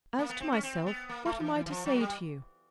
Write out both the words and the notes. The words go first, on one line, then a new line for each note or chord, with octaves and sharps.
As to myself, what am I to say to you?
A#3
B3
C4
C#4
C4
B3
A#3
A3
E3
E3
E3
F3
F#3
G#3
G3